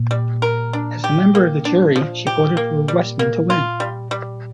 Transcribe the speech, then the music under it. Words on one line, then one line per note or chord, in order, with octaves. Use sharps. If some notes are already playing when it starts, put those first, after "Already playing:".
As a member of the jury, she voted for Westman to win.
Already playing: A#2
G3
A#4
D4
G4
A#3
D4
F3
G4
A#3
G3
A#3
F4
G3
G3